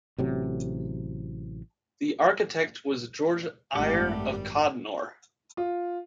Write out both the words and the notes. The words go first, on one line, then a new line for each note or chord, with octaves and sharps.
The architect was George Eyre of Codnor.
A1 C3 F#3
G#1 F#2 D#3 G3 A3 G4 F#5 D6
F4